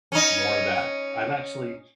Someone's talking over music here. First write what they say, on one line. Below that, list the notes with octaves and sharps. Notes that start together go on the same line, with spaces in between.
more of that. I'm actually
C#4 D#4